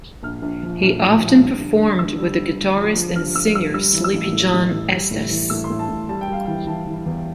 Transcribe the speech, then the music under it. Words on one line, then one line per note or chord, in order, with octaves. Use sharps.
He often performed with the guitarist and singer Sleepy John Estes.
A#1 F6
A#1
F3
A#1
A2
F3
G2
D3
G2
D3 E6
G3
D3
G2
F3
F3
G2 F6
F3 E6
G2 E6
G3 E6
E3
E6
A1
A2
A1
E3
G3
A2
E3
A2 E6
C6
A2
A5
A2
G3 A5
G5
G3 F5
E3 G5
E3 A5
E3
E2